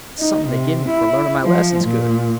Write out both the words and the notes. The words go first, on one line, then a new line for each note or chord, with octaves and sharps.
"It's something they give me for learning my lessons good."
D#4
C3
E4
F3
A#2